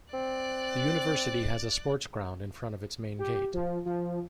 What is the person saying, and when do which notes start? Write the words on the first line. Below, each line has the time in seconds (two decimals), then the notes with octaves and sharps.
The university has a sports ground in front of its main gate.
0.14 C4 D5 F#6
3.19 G4
3.53 F3
3.85 F3